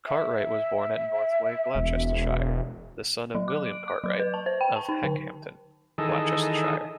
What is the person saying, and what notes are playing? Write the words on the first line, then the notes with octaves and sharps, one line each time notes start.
Cartwright was born at Northway, Gloucestershire, the son of William Cartwright of Heckhampton, Gloucestershire.
E5
E1
F#3
D6
D7
D6
F#3
B4
A5
C5
G5
A5
D#4
D3
D#3 E3 G#4 A4 D#5 E6